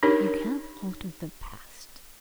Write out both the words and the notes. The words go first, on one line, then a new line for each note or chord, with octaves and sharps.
You can't alter the past.
D4 D#4 G4 A#4 C#5